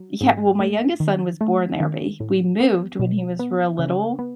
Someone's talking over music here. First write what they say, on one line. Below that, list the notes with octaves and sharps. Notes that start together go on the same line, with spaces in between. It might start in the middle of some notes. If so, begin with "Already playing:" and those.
yeah well, my youngest son was born there, but h we moved when he was real little.
Already playing: F#3
G#2
A3
D#3
A3
D#3
A2
B3
B2
B3
C#3
B3